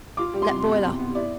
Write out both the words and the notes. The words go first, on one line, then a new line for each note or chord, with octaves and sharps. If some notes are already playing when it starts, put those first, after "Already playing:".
Let boil up.
F4 D6
G3
C6
C3
B3
C3
B3
E4 D5